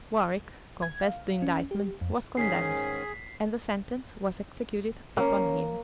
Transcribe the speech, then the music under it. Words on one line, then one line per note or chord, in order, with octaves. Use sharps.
Warwick confessed the indictment was condemned, and the sentence was executed upon him.
G#6
F5
C#4
G4
F2
G#2 D#3 C#4 G#4 B6 C7
A#3 C#4